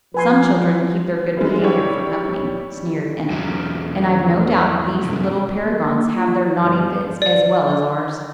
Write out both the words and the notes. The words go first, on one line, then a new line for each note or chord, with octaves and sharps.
"Some children keep their good behavior for company," sneered Enna, "and I've no doubt these little paragons have their naughty fits as well as ours."
F3 B4 G#5 C6
F#2 G3 G#3
G3 D4 E4 G4 C#5
E2 F#3
C2 F#2
A#3
F4
G1
D5